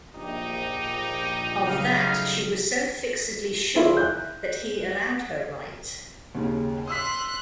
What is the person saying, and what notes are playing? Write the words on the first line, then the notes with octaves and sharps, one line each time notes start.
Of that she was so fixedly sure that he allowed her right.
A#1 D#4 G4
C#3 F#3 G3 A3 F5
E4 F4 G#4
F#6 G6
D#2 C#3
C6 D#6 E6 F#6 B6